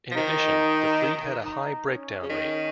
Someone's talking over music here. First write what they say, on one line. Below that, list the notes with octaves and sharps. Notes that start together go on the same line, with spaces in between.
In addition, the fleet had a high breakdown rate.
F3
D#3 D#4
D#4
C#4
C#3
D#3